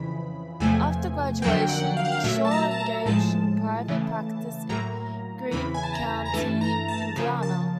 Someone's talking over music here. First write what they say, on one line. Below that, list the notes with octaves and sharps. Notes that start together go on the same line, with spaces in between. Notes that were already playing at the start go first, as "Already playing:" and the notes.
After graduation, Shaw engaged in private practice in Greene County, Indiana.
Already playing: F2 C#3 E3 B5
E2 C3 F3 A3 G#5
F2 D3 F#3 A#3 G5
F#5
F5
F#5
F5
A#2 F#3 A3 E5
A5
A#5
A5
A#5
A2 F3 G#3 A5
C#3 E3 A3
A2 F#3 A#3 A#5
E2 C#3 E3 B5
G#5
A5
A#5
A#5
G2 E3 A3 A5
A#5
A5
C#3 F3 A#3
A5